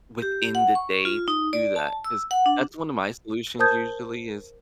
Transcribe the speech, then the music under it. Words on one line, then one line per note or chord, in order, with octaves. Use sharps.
within the day to do that, 'cause that's one of my solutions usually is
G4
F#5
C#6
F4
D#4
D5
A5
E6
F#5
D4
A#4 C5 A5 D#6 G6 G#6